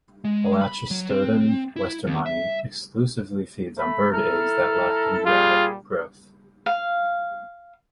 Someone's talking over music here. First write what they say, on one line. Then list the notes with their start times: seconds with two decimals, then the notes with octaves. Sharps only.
"Elachistodon westermanni" exclusively feeds on bird eggs that lack embryonic growth.
0.24 G#3
0.61 B5
0.91 F#3
1.09 C4
1.76 E4
2.07 D#2
2.26 E5
3.77 A3 B5
4.12 E4 A4 A#5 F6
5.26 A#2 G3 F4 G#4
6.66 F5